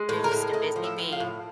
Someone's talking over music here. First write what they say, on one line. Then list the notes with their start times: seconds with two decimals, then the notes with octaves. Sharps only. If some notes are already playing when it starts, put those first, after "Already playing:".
You're just a busy bee.
Already playing: G#3
0.09 A2
0.24 A#4
0.32 A2
0.53 A2 D#5
0.76 F3
0.84 E5
0.98 A2
1.12 F5
1.20 A2